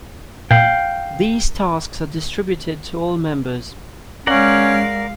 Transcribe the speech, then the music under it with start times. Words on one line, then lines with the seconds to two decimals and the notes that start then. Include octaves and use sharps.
These tasks are distributed to all members.
0.51 A#2 F5 G5
4.27 G#3 C#4 A#4 D5 F5 F#5